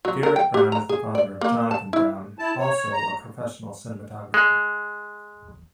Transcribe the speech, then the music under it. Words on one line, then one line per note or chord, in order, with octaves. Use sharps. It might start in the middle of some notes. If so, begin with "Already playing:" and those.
Garrett Brown is the father of Jonathan Brown, also a professional cinematographer.
F#3
A#4
G5
G4
A#5
G#4
D5
A#3
A5
E4
E4 A5
C#5
A#5
G#3